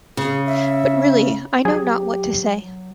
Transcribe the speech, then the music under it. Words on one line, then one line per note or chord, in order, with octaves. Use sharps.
But, really, I know not what to say.
C#3 G#4
E5
F#3 G4 G#4